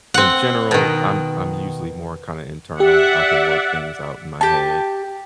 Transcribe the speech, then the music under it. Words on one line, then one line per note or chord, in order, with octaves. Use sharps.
in general, I'm I'm usually more kinda internal. I can work things out in my head,
C4 F#5
B2 D#3
G4 D5 E5 F#5
G4 A5